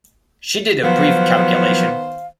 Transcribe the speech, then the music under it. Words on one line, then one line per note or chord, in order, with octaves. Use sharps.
She did a brief calculation.
D#3 F3 F#3 B3 C5 F5